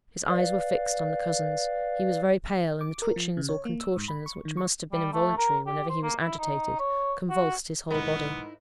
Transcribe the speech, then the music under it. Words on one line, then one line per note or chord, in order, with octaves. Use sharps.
His eyes were fixed on the cousins; he was very pale, and the twitchings or contortions, which must have been involuntary whenever he was agitated, convulsed his whole body.
B4 D5 F5
D6
A#4
F3
C#3
C#5
A#3
E6
G#2
B5
C#6
D#3
C#6
G3
A3
A#4
G4
C5
A#3
E4
D#4
C#5
F#4
B1 G#2 E3 B3 D#4 E4 A#4 B5